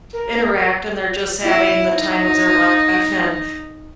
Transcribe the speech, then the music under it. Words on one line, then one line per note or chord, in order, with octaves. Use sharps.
interact, and they're just having the time of their life and
A#4
E4
D#4